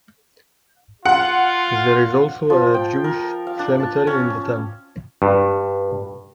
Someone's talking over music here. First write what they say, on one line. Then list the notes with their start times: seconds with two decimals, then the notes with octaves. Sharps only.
There is also a Jewish cemetery in the town.
1.06 F4 F#5
2.50 F3
2.74 G5
3.04 A#4
3.47 F5
3.59 D4
3.80 A5
4.07 C#4
5.22 G2